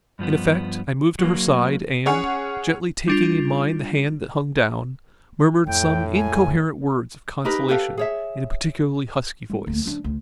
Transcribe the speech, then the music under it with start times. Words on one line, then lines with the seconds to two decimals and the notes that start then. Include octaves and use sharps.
In effect, I moved to her side and, gently taking in mine the hand that hung down, murmured some incoherent words of consolation in a particularly husky voice.
0.19 G2 F3 B3
1.19 F#3 A#3
2.06 C#4 G#4 C#5 F#5
3.08 G3 D4 F4
5.67 F2 A2 G5
6.15 G#5
7.45 D#4 G4 A#4 B4
7.69 G4 A4 B4 F5
7.97 G#4 C#5 E5
9.50 G3
9.67 D2 A#3
9.86 F3 D4
10.04 D2